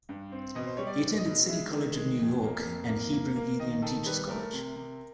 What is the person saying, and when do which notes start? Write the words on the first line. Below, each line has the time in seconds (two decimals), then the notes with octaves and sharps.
He attended City College of New York and Hebrew Union Teachers College.
0.09 G2
0.32 C4
0.55 B2 D#5
0.67 C5
0.77 G3 C#5
0.87 D5
1.03 B2
1.18 D#5
1.26 B2
1.49 G#3 E5
1.73 D#3
1.96 G#3
2.20 F2
2.43 A#3
2.65 F2
2.89 A#3
3.13 A#3
3.36 A#3
3.59 D#3 D#5
3.82 D#3 A4
4.06 G3 B4
4.29 A3 A#4
4.53 C3
4.76 C3